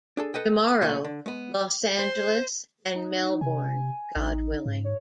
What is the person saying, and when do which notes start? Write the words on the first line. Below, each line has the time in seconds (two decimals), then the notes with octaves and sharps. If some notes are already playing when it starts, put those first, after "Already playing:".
Tomorrow, Los Angeles and Melbourne, God willing.
0.17 D4 G#4 A4
0.34 A4 B4 D#5 G5
0.81 B1 A#2 A3 C#4 F5
1.04 D3
1.26 G#3 B3
1.99 C5
2.95 D#4
3.41 C3 G#5
4.16 A1 D#4
4.66 G#2
4.84 C#5